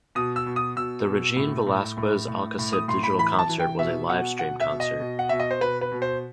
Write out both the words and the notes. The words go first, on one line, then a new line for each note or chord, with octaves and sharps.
The Regine Velasquez-Alcasid Digital Concert was a livestream concert.
B2 D#6
E6
B2
D#6
B2 E6
B2
A2
A2
A2
A2
A2
D#6
A2 C6
B5
E3 B5
A5
E3
G5
B2 E5
B2 F#5
B2 F#5
E5
B2
D#5
B2
F#5
B2 E5
D#5
C5
B2 B4
B4
B2
C5